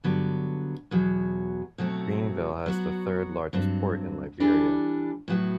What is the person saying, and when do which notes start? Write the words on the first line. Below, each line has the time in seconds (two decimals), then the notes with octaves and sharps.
Greenville has the third-largest port in Liberia.
0.04 G2 D3 F#3 B3
0.91 E2 B2 F#3
1.78 B2 F#3 A3 C4 F#4
2.66 F#3 B3 F#4
3.53 G2 F#3 C4
4.40 E3 G3 D4 A4
5.28 A2 F#3 B3 F#4